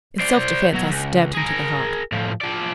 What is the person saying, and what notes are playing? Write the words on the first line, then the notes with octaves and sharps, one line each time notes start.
In self-defence I stabbed him to the heart.
C5 D5
B2 F#3
C#2
G#4 A#4
A2 F3
F3 D5